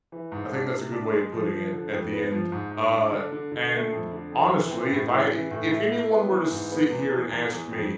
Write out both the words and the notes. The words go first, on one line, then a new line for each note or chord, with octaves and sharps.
I think that's a good way of putting it at the end, uh, and honestly, if I i if anyone were to sit here and ask me,
E3
G#2
D4
C3
D4
G#3
F3
F3
D3
F2
B3
F3
G#2
G#2
D4
D3
D3
D3
A3
F2
D3
F2
E3
C4
A2
E3
E3
A2
E4
E4
B3
E3
G#2
B3
E2
E2
E2
E2
F2